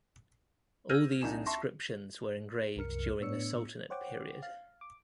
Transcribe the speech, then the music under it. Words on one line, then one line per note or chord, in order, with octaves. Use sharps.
All these inscriptions were engraved during the Sultanate period.
E6 F6 G6 G#6 A#6 D#7
C2 D4 D#4 G#5 E7
E5 A5 C6 C#6 A#6
C2 F#2 A#4 F6 C#7
A2 B3 D4 C#5 E6 C#7
C5 C#5 F#5 G5 D6
F5
D6